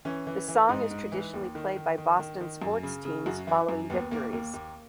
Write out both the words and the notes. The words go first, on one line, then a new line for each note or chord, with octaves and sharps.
The song is traditionally played by Boston sports teams following victories.
E3 C#4
E3
E3
G#2 D#4
G#2
E3
D#2
D#3
D#3
D#3
D#3
D#3
F#2
C#3
C#3
F#2 F#4
E3 E4
F#2
D#2 B3
D#2 A#3
D#2 A#3
D#2